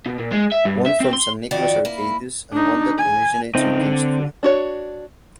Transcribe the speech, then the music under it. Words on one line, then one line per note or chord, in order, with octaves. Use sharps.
One from St Nicholas Arcades and one that originates on King Street.
B2
A#2
G#3
E5
G2
E5
C4
C6
F2 D#3 F#4 D5
A#3 E4
D4 D#4
G#5
C#3 C4 D#4
D3
D4 F#4 C#5